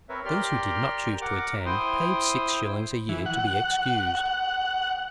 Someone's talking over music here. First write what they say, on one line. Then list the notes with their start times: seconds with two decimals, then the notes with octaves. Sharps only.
Those who did not choose to attend paid six shillings a year to be excused.
0.09 C4 A#4 B4 C#5 E5
0.25 G4 A#4 D5 G5 C6 F6
1.22 A#4 F#5 D6
1.66 E4 C5 G5 C6 D#6
3.09 E3
3.26 F#5
4.15 F#5